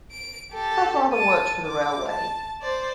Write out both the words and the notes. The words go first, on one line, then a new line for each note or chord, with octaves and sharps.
Her father worked for the railway.
D7
G4 A4
A5 D#7
D6
A5
C5 D5